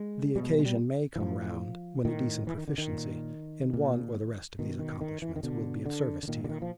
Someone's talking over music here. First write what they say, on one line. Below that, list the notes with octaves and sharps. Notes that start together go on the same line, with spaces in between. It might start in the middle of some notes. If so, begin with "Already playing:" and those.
The occasion may come round, when a decent proficiency in one or the rest of these accomplishments will be of service to you.
Already playing: G#3
B2 G3
G#3
G3
G#3
G3
E3
A2 F3
A2 D#3
E3
D#3
D3
D#3
A#2
A#2
B2 D#3
D#3
D#3
E3
D#3
B2 D3
D3
D3
A#2 D#3
D3
D#3
F3